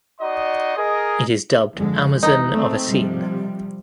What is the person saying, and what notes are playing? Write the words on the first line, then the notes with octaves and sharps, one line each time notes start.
It is dubbed "Amazon of Asean".
D#4 F#4 D5 D#5 C6 D#6
G#4 A#4 D#5
F2 D3 G#3
E3 D#4
A3 C4
C3 F3 G3